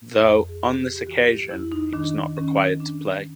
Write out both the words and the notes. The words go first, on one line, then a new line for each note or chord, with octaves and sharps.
Though on this occasion he was not required to play.
F2
G#4
C#3
G4
G4
E3 F#4
G4
F2 E4
D#4
D#3 D4
D#3 C#4
D4